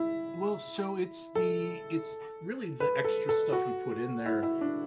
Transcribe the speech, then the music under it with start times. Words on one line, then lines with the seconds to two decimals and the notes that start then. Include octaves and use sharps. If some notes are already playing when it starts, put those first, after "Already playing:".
Well, so it's the it's th really, the extra stuff you put in there,
Already playing: E4
1.35 A4
2.80 B4
3.04 A4
3.29 A4
3.53 F#4
4.26 E4
4.43 E4
4.61 D4